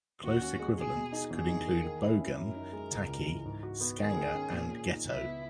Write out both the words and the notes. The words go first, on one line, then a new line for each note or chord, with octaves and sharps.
Close equivalents could include bogan, tacky, scanger and ghetto.
D#2 F#4
C#4
G#3
B2 G#4
B2
D#4
E2 G#4
D#4
A#3
D#3
E4
C#4
F#2 A#4
D#4
G#3
C#2
C#2
E3
G#2
F#4
B3
D#3 G#4
D#3
C#4
A#2
A#2
D#4
C#2 E4
B3